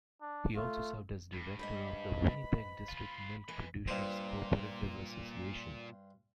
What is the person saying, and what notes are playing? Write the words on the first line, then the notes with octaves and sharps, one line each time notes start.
He also served as director of the Winnipeg District Milk Producers Cooperative Association.
D4
A3 F4
G2
G#2 B4 D#5 B5
F4 B4
E3 G#3 B4
G2 A#2 C5